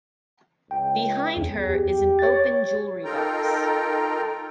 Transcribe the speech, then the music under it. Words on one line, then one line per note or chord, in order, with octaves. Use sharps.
Behind her is an open jewelry box.
C#2 G5
E2 G#4
G4
C#5 A6
D#4 F4 A4 A#4 G5 A#5